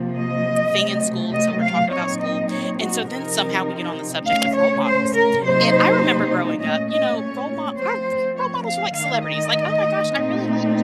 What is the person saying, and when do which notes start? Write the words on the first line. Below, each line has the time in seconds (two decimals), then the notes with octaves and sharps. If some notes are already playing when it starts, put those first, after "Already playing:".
thing in school and so we're talking about school and so then somehow we get on the subject of role models and I remember growing up, you know, role mo our role models were, like, celebrities like, "Oh my gosh, I really like
Already playing: C3 F3 A#3
0.15 D#5
0.74 C3 F#3 A3
1.32 D#5
1.62 F5
1.91 A#2 F#3 C4 D#4 C#5
2.20 D#5
2.50 C#5
2.79 F#4
3.08 C3 F3 C4 D#4 A#4
4.25 C#3 A3 C#4 F5
4.54 C#5
4.84 C5
5.14 A#4
5.43 C3 F#3 A#3 D#4 C5
6.60 A#2 A3 C#4 D#5
6.90 D#5
7.19 C#5
7.77 F3 A3 C4 C5
8.36 C#5
8.66 F5
8.95 D#3 A3 D#4 F5
9.25 D#5
10.12 A#2 A3 C4 D#4